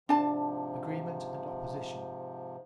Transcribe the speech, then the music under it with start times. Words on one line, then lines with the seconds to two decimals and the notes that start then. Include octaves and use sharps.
Agreement and Opposition.
0.09 G#2 C3 F3 D4 A5